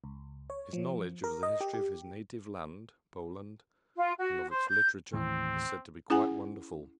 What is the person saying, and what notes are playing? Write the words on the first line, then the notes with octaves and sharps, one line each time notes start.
His knowledge of the history of his native land, Poland, and of its literature is said to be quite wonderful.
C#2
C#5
F3
A#4
D#5
G4
G4
F4
F#4
C5
G6
D#2 A2 E3 C4
C#4 E4 G#4 F#5 G#5